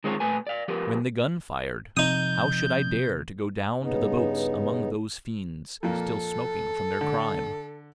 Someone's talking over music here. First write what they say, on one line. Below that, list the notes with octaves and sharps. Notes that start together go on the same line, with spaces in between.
When the gun fired, how should I dare to go down to the boats among those fiends, still smoking from their crime?
D#3 G#3 C4 F4 C#5
A#2 A3 B4 G#5
D5 F5
F3 G4 A#4 B4
F2 C3 D#4 D#6 G6
G2 C#3 B3 D#4
F2 A#2 A#3 A4
D3